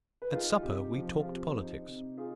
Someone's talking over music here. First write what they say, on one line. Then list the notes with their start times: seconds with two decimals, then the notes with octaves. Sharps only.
At supper we talked politics.
0.22 B4
0.32 D#4 F4 G#4
0.63 C3 G4
0.93 F3
1.20 F4
1.24 C4 G4
1.56 D#4
1.87 C3
2.17 D#4 F4 G#4